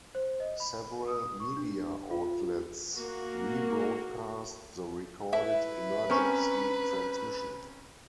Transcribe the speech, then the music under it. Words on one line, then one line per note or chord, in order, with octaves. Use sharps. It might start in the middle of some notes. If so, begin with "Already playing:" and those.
Several media outlets rebroadcast the recorded emergency transmission.
C5
D#5
B5
D#6
C#6
D4
F4
A#3 F#4
E4 B4
C4 C#4 A#4 C#6